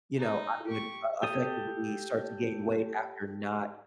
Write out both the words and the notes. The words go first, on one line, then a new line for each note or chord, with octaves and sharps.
you know, I would, uh, effectively start to gain weight after not
D#4
G4 C#6
G4 A4 D#6